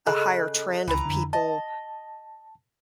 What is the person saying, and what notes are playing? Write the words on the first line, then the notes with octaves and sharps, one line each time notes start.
a higher trend of people
C#3 A4 D#5 F#6
C#2 E3 B4 A#5
F2 D3
D#5 A5